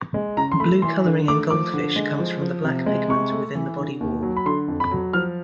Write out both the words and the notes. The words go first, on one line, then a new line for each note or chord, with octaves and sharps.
Blue colouring in goldfish comes from black pigment within the body wall.
G#3
C#3 A#5
C6
A3 B5
E3 C6
D3
A3 D6
F3 D6
D3
G#3
F3
F3
C3
G#3
C3 C#6
A3
E3
D3
D#2
F#3
B5
D3 C6
F2
B5
F#3
F3 F6